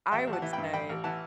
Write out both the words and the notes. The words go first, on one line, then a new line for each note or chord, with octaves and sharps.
I would say
A1 E5 G5
A1
F#5 A5
E3
G2 G5 B5
A1 G5 B5
A1
E3 F#5 A5